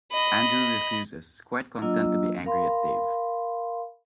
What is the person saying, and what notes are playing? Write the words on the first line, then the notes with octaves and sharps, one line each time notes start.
Andrew refuses, quite content to be angry at Dave.
D#5 B5
F#3 A#3 D4 F4 D#5 E6
A#4 F5 B5 C6